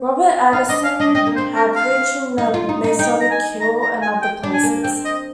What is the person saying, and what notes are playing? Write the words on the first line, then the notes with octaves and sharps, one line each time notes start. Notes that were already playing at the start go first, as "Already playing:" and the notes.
Robert Addison had preached in the Masonic Hall and other places.
Already playing: C4
D#4 F5
D4 D#5
F5
D4 D#5
C4 D#5
A#3
C4 C5
A#4
F5
D#4
F4
D#4
D#4
D#4 G5
A#5
G#5
A#5
A#5
G#5
G5
D4
G#5
A#3
C4 G5
D#5